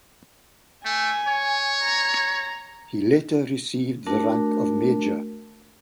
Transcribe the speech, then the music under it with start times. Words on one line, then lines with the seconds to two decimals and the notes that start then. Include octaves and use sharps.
He later received the rank of major.
0.85 A3 G#5
1.28 C#5
1.83 A#5
4.06 A3 D4 F#4 A#4 A5